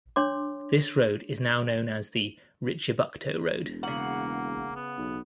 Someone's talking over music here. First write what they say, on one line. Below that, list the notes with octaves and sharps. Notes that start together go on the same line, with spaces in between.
This road is now known as the "Richibucto Road".
D4 C#5 C6 D6
E1
C#3 A#3 F#5
B3
B1